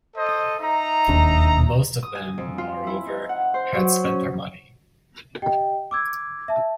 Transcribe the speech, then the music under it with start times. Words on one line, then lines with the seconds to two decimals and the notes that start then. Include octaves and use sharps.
Most of them, moreover, had spent their money.
0.16 A4 C5 D#5
0.59 D#4 E5 A#5
1.08 E1 D#2 D4
2.03 D#6
2.15 G#5
2.38 F2
2.58 F4
2.87 E4
3.07 D#4
3.29 F#5
3.54 C5
3.75 F#3
4.04 C#4
5.42 G4 D#5 G5
5.91 D6 E6 G#6
6.48 E5 A5